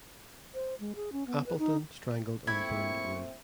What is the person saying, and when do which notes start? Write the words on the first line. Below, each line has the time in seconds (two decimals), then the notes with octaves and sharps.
Appleton strangled and burned Wood.
0.54 C5
0.80 G#3
0.96 G#4
1.12 C#4
1.27 B3
1.46 B4
1.59 D#4
2.47 A#2 A3 C4 E4 C#6 G#6